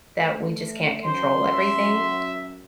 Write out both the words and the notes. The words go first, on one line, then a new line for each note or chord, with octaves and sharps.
that we just can't control everything,
A3
F#2 F#3 C5 C6
E5